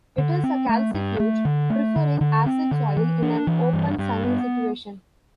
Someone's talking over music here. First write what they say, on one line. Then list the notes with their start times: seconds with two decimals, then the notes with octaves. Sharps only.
It is a calcifuge, preferring acid soil in an open sunny situation.
0.18 D3
0.43 C4
0.69 A3
0.94 G2
1.20 A3
1.45 D3
1.70 A3
1.96 D3
2.21 D3
2.46 C4
2.71 D3
2.97 E3
3.22 D4
3.47 E3
3.73 G2
3.98 G2
4.24 B3